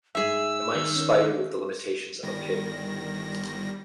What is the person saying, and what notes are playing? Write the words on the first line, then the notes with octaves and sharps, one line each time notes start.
Am I a spider with the limitations of a pig?
G#2 G#3 D#4 G#4 E5 E6
D#3
C#4 A#4
G1 D#3 G3 A#6